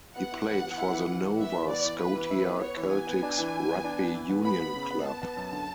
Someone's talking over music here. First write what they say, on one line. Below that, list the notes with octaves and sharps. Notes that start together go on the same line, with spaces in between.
He played for the Nova Scotia Keltics rugby union club.
B3 F#5
E4
E3
B3
E4
E3
E3
E3
B3 E5
E3
B3 D5
E3
B3 B4
E3
E4
B3
B3 C#5
E3
B3 G#5
B3
D4
E3
E3
B3
D4
B3
E3
B3
B3 B5
B3
C#3
B3
B3 A5
B3
F#2
D3